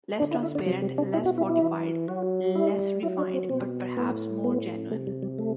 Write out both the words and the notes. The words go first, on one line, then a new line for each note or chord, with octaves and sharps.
Less transparent, less fortified, less refined: but perhaps more genuine.
D3 D4
E4
E4
D4
C3 F#3
G3
D4
B2 E4
F#4
E4
E4
E3
F#3 F#4
G3 E4
F#3 E4
D4
C4
B2 C4
A2 B3
B3
C3 A3
G3
G3
A3